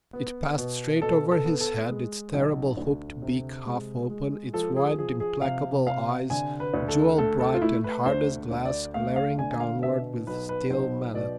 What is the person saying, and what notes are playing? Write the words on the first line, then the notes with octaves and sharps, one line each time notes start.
It passed straight over his head, its terrible hooked beak half open, its wide, implacable eyes, jewel-bright and hard as glass, glaring downward with still menace.
B3
B2
B2 A4
A4
B3
A4
G#3
B1
D2
C3
G#3
G#3
F3 A4
G#4
F3 G#4
G#4
C3 F5
C3 F5
D3 G#5
B4
D2
A4
A3 A4
A4
F4
A3 E4
B4
D2 C5
D2
D5
A3 F5
F5
D3 G#5
G#5
F5
B2 E5
B1 B4
B4
B1 C5
B2 D5